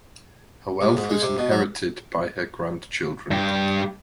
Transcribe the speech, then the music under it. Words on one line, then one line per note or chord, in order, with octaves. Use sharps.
Her wealth was inherited by her grandchildren.
C3
G#2
G#3
C3
B2
F#3
G2 G4